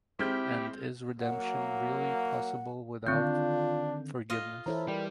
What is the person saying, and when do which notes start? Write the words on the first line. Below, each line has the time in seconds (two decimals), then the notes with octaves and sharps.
And is redemption really possible without forgiveness?
0.19 G#3 C4 E4 G4 F6 G6
1.21 F#3 A#3 F#5
3.07 D3 D#3 C4 D4 F4 G6
4.30 F4 D#5
4.66 E3 E4 A4 C5 C#5 A#5
4.88 G3 A#4 D5 G5